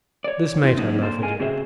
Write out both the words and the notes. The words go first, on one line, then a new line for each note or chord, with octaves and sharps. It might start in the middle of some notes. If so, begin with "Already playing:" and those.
This made her laugh again.
C#5 D5
C4 E4
F#2 C#3 F#3 A#3 D#4
A#3 C4 D4 A4 C5
G#3 A#3 A#4 G#5
C#3 C4 F#4 G#4 C5 E5